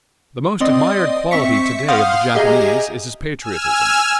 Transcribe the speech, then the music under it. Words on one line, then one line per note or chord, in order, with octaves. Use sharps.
The most admired quality to-day of the Japanese is his patriotism.
C4 D5 D#5 C6 D#6
C4 E5 C#6 B6 C#7
F5 F#5 C6 D#6 F6 G6
G4 G#4 D#5 E5 G#5 A#5
G#5 E6 F6